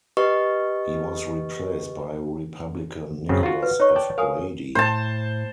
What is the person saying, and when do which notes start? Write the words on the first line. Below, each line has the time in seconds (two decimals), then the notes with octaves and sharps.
He was replaced by Republican Nicholas F. Brady.
0.17 G4 B4 D#5 C#6
3.29 F#2 C#3 C4
3.43 F4 F#4
3.63 B4
3.80 D#4 C#5 C#6
3.96 D5 G5 A5
4.18 A#4 F5 G#5 D#6
4.75 A2 C5 A5